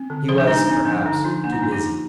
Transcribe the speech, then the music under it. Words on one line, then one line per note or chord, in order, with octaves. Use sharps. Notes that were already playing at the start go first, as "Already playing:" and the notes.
He was, perhaps, too busy.
Already playing: C4
D3
F3 G#4 C5
D4
G#3 D#4
D4
C4 D#4
F3 D4
D3 D#4
F3 D4 F4
A#3 D4
D#4
D4 F4
D#4 G4
F3